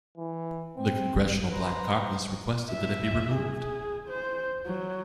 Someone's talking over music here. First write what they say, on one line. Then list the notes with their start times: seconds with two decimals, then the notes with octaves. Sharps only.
The Congressional Black Caucus requested that it be removed.
0.17 E3
0.77 C4
1.51 B4 C5 A#5
2.70 E5
3.35 G#4
4.08 C5
4.66 F#3